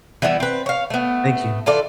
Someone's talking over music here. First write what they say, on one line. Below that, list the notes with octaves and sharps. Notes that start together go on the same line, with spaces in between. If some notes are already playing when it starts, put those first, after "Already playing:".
Thank you.
E3 G3 B3 E4
C4 B4
C#5 F5
A3 B3
E3 F4 A4 D5